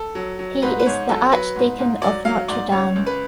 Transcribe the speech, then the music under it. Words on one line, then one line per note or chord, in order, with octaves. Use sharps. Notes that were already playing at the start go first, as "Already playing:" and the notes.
He is the Archdeacon of Notre Dame.
Already playing: A4
F#3
F#3
G#2 B4
B4
G#2 C#5
F#3 A4
F#3 B4
G#2
G#2
F#3 D5
F#3 F5
G#2 D5
C#2 C#5
C#2
B4